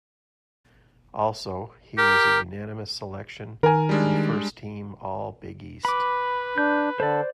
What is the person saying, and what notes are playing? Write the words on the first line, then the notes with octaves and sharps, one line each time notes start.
Also, he was a unanimous selection to the First-team All-Big East.
G4 A#4
D#3 A#4 G#5
G3 G#3 D4
B4 B5 D6
D4 G6
D3 A4 C5 D5